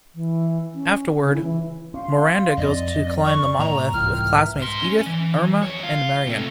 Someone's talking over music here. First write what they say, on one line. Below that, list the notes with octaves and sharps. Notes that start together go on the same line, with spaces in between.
Afterward, Miranda goes to climb the monolith with classmates Edith, Irma, and Marion.
E3
C#4
C#3
E4
E3
C#4 F5 C6
F2 B3 C4 D5 D#5
C#6
A2 B3 A#5
C2 G#2 E3 F4 A#4 G5 F6
B4 E5 A#5
G#2 C6
C#4
E3
F2 C#5
F4
C3 A3